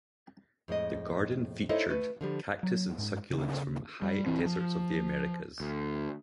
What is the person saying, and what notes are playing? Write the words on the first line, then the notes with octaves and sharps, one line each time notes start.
The Garden featured cactus and succulents from high deserts of the Americas.
F2 A2 G#3 D#5
D#4 E4 A4 C5 C#5 D#5
A3 B4
D3 F3 G3
F#3
G#2
C#3
G3
D#1 E3 C4
F3
D2